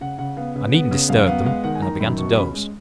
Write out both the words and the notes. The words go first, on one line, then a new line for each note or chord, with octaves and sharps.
I needn't disturb them; and I began to doze.
C#3 F#5
C#3 F#5
B3 F5
C#3 B4
B3
C#3
F#2 F5
B3 F5
G#3 F5
D#3 F#5
G#5
D#3 A#5
F#2 B5
B2 C#6
C#4 B5
G#3